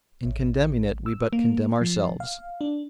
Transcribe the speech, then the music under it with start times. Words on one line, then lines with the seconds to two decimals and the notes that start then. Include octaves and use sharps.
In condemning it we but condemn ourselves.
0.25 A1
1.06 E6
1.33 A#3
1.81 F3
2.20 F5
2.61 D4